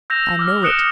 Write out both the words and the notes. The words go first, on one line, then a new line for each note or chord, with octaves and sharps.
I know it.
E6 G6 A#6 E7 F7
D6 E6 F6
D#6 F#6 C#7 D7 E7 G7